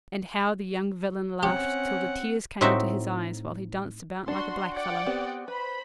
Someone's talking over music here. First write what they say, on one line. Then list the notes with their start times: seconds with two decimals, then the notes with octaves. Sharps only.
And how the young villain laughed till the tears came into his eyes, while he danced about like a blackfellow.
1.43 C4 C#4 G4 F#5
2.61 A2 C4 D#4 F#4 E5
4.28 D4 F#4 F#5 C6
4.72 D5 F#5 G5
5.06 B3 C4 G4
5.48 B4 C5 B5